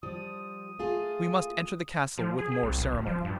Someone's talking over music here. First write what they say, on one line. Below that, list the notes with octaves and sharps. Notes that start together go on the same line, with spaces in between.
We must enter the castle with more ceremony.
F3 G3 D#6
A3 F4 G#4
F3
G#4
G#4
C2
B1
D1
F3
G2